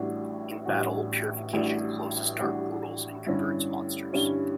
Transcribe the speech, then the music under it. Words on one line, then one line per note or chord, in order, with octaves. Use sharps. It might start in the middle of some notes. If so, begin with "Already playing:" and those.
In battle, purification closes dark portals and converts monsters.
Already playing: A1 A2 G3 D4 F#4
A1 A2 G3 D4 F#4
A1 A2 G3 D4 F#4
A1 A2 G3 D4 F#4
G2 D3 G3 C#4 E4
G2 D3 G3 C#4 E4